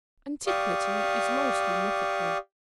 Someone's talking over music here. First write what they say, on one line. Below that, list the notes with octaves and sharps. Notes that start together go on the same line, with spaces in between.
Antiquity is mostly mythical.
G4 D5 F5 C#6 D#6